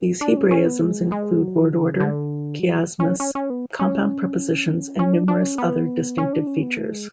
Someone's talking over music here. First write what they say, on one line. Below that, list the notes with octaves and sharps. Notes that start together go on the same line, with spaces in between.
These hebraisms include word order, chiasmus, compound prepositions, and numerous other distinctive features.
D4
C#4
C#4
B3
G#3
G#3
F#3
F3
D3
C#3
D3
F#3
C#4
C#4
C#4
B3
C#4
C#4
D4
D4
C#4
B3
C#4
D4
C#4
B3
A3
G#3